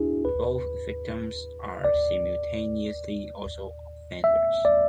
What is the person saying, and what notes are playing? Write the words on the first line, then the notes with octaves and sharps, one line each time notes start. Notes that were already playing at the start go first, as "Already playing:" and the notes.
Both victims are simultaneously also offenders.
Already playing: D4 E4 F#4 G#4
B4
D5
E5
D5